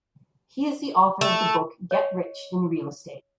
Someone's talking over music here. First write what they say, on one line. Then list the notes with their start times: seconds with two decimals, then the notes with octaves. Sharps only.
He is the author of the book "Get Rich in Real Estate".
1.21 A3
1.91 C#5 D#5 C#6